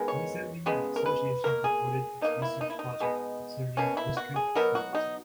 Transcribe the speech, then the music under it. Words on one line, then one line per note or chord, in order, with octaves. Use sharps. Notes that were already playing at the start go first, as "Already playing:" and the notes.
Recently the Association promoted its research project concerning the history of tourism.
Already playing: D#3 G#3 B3
C#5
C#3 G#3 B3
A#4
B4
B2 A#3 A#4
G#4
B2 A#3 D#4
E4
D#4
E4
D#4
B2 G#3 B3
B2 A#3 C#4
E4
F#4
G#4
B2 F#3 B3 A#4
F#4
D#4